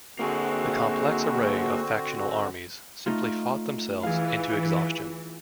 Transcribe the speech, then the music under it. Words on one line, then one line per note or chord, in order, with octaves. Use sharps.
The complex array of factional armies simply fought themselves into exhaustion.
D3 A#3 C4 F#4 G#4
A3 D#4 F4
E3 G#4 F5